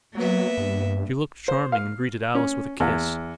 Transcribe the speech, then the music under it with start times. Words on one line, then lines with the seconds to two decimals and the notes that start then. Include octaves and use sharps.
She looked charming, and greeted Alice with a kiss.
0.15 F#3 A#3 B3 E5
0.57 G2
1.48 C5
1.72 F5
2.35 C#4
2.80 E2